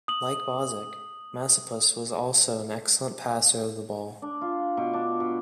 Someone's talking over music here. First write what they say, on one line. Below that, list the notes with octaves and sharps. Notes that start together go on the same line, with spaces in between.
Like Bozsik, Masopust was also an excellent passer of the ball.
D#6 F#7
D4
F4
B2
D4
B2